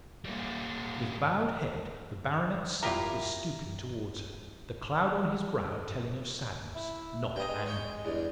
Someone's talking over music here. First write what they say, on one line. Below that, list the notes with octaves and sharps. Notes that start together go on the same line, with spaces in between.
With bowed head the baronet's son is stooping towards her, the cloud on his brow telling of sadness--not anger.
G3 A#3
E4 F4 G4 A#4
E4
G2 D#5 G5
G#3
C#5 G5
E2 G2